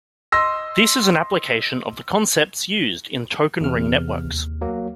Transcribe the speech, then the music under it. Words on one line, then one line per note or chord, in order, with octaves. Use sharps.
This is an application of the concepts used in token ring networks.
D#5 C6 E6 A#6
E2 C3 F6
D#2
F#3 A#3